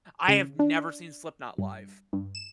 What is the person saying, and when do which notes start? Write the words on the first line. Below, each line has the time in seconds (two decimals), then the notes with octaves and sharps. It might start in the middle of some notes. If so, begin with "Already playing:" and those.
I have never seen Slipknot live.
0.28 C#3
0.59 D4
1.58 G2
2.13 G2
2.35 E7